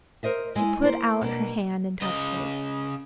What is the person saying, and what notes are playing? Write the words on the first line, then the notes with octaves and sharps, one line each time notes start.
She put out her hand and touched his.
A#4 C5 D#5 E5
G#3 E4 G#4 D#5
A#3 C5
B2 A#3 D4
C#3 D#5